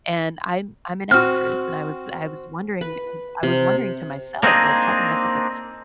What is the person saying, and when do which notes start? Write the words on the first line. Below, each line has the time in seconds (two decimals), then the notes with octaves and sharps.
and I'm I'm an actress, and I was I was wondering I I was wondering to myself, like, talking to myself, like,
1.11 C4 F#4 F6
2.81 B4
3.43 C3
4.43 A#3 C4 D4 D#4 G#4